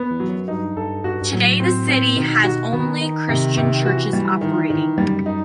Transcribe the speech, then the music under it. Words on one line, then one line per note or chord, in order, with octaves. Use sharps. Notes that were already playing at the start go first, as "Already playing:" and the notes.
Today the city has only Christian churches operating.
Already playing: B3
E2
F#3
F#2
G2 D#4
G2 A4
G2 F#4
G2
A2 F#3
C4
C4
B2 D#3
F#4
D#3 B3
D#4
C3
C3
E3 F#4
G3
D#3
D#3
F#2 G3
D#4